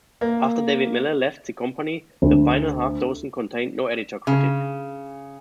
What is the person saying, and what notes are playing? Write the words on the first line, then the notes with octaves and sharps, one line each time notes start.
After David Miller left the company, the final half-dozen contained no editor credit.
A#3
D2
C#3